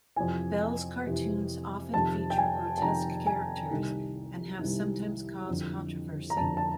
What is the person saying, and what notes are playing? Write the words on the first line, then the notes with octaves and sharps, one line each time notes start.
Bell's cartoons often feature grotesque characters, and have sometimes caused controversy.
F2 C3 E3 G#5
F2 C3 E3
F2 C3 D#3 A5
G5
G#5
A5
F2 C3 D#3 A#5
G#5
C2 C3 D#3
C2 C3 D#3
F2 D3
A#5
F2 D3 A5
A5